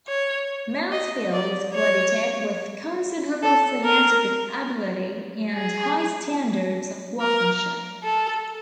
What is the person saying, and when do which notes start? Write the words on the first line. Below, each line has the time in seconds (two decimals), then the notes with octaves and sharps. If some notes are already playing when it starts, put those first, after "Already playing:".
Mansfield is credited with considerable scientific ability and high standards of workmanship.
0.08 C#5
0.91 D#5
1.33 D5
1.75 C#5
3.43 A4
3.84 A#4
5.53 G#4
7.20 A#4
8.04 A4